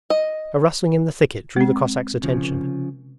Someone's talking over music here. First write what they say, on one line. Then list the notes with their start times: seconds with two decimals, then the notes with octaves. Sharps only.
A rustling in the thicket drew the Cossack's attention.
0.10 D#5
1.56 G#3 C4
2.23 C#3 F3
2.43 C3